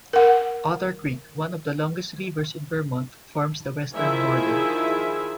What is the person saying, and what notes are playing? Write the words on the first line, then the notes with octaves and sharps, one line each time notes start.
Otter Creek, one of the longest rivers in Vermont, forms the western border.
A#4 F#5
D#3 F3 E4 G#4 E5 G#5